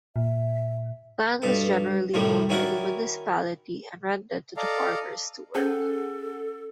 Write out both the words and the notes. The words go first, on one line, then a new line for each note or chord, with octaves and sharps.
Land was generally owned by the municipality and rented to the farmers to work.
A#2 E5
G2 B2 A4
C2 F#2 A2 D#3 G3 A3
D#3 C#4 E4 F#4 A#4 D5
A4 D5 D#5 F5 A#5
C#4 G#4 A4 C5 F#5 A5